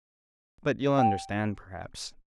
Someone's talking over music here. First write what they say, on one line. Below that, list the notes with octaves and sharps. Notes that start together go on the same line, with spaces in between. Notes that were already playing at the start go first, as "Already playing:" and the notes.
But ye'll understand, perhaps.
G5